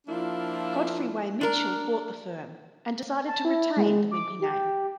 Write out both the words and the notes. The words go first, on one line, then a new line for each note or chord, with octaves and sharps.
Godfrey Way Mitchell bought the firm and decided to retain the Wimpey name.
F3 A#3 D4 E4 F4
D4 A#4
A5
E4
G#3
D6
G4